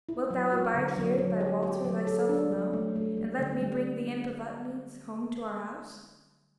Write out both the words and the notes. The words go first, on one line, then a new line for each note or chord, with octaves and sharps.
Wilt thou abide here by Walter thyself alone, and let me bring the imp of Upmeads home to our house?
E4
F#3
F#4
D3
F#3
F#3
G4
G4
F#3
A4
D4
F#3
A3
A3
G3
D3
G3